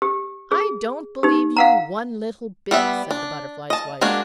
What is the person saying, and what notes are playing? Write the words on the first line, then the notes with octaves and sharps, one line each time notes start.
'I don't believe you one little bit,' said the Butterfly's Wife.
G4
G#4
D#4 G4
F5 F#5 A#5
G3 B3 E5
D4
D#5 A5
G#3 A#3 D4 F#4